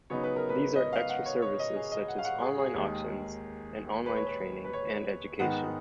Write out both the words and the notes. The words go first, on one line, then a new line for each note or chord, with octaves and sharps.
These are extra services such as online auctions and online training and education.
C#3 F#3 B3 D#4 C#5
B4
A#4
B4
D#5
F5
F#5
C#5
C#5
D#5
G#4
D#5
F#5
F5
F#5
G#4
G#4
D#2 D#3 G#3 D#4
B4
C#5
B4
B4
C#5
G#2 D#3 G#3 B3 D#4 F#5